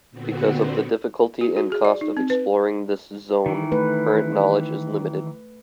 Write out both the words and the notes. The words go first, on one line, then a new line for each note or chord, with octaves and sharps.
Because of the difficulty and cost of exploring this zone, current knowledge is limited.
A#2 D3 B3 C4 F#4
F#4
F#4
G#4
D5
D#4
C4
B4
D#3 E3
A3 B4